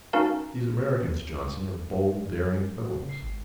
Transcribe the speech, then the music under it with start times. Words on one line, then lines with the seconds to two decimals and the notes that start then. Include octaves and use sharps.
These Americans, Johnson, are bold, daring fellows.
0.13 C#4 D#4 F#4 A#4 F5 A5
2.83 F#4
2.95 C#3
3.09 C7
3.22 G#1